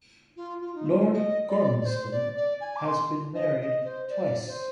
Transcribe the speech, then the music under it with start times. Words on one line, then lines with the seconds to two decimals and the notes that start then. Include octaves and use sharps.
Lord Gormanston has been married twice.
0.36 F4
0.61 F4
0.75 D#4
0.86 F4
1.11 D#5
1.48 D5
1.81 D5
1.85 C5
2.11 D5
2.36 D5
2.61 G#5
2.76 D6
2.85 C6
3.35 D#5
3.61 D#5
3.85 C5
4.10 D5
4.47 C5